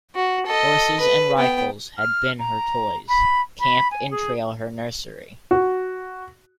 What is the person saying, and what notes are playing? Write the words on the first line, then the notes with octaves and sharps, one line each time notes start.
Horses and rifles had been her toys, camp and trail her nursery.
F#4
A4 D#5
B4
B3 G5
F6
A#5
B5
B5
G#5
G#4
F#4